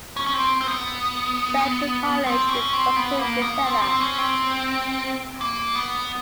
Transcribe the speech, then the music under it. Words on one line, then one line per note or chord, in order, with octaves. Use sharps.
Central College is located in Pella.
C#4
C#4
C4
C4
B3
C4
C#4
C4
B3
A#3
B3
C4
C4
C#4
C4
A#3
B3